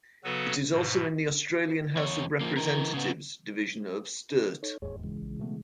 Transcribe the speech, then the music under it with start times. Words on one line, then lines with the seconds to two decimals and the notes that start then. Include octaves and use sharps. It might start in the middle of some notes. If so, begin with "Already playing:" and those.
It is also in the Australian House of Representatives Division of Sturt.
0.24 C#3 F#3 B3 F#4 A4 B4
0.71 G#2 B2
1.96 E2 C#5
2.41 F3 A#3
2.57 E3 A#4
2.94 C#3 B3
4.63 D#4 A4 C#5
4.82 E1 D#2 G#2 G#4 C#5
5.04 C#3 E3 G#3
5.21 A#1
5.39 B2 A3 B3